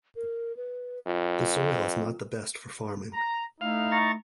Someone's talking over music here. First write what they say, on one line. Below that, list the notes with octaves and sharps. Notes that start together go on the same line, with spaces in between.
The soil is not the best for farming.
A#4
B4
F2 F4
A#5
A3 D#4 E4 F5
A#5 C#6 A6